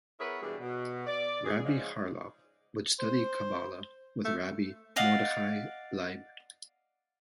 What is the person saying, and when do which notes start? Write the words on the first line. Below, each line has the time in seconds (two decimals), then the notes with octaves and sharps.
Rabbi Charlap would study Kabbalah with Rabbi Mordechai Leib.
0.19 B3 E4 G#4 A#4 B4 C#5
0.41 B2 E3 G3 G#3 D4 G#4
0.60 B2
1.07 D5
1.44 G#4
1.64 G#2 C#3 F3 G#3
2.99 C5
4.25 A3
4.96 D5 D#5 F5 F#5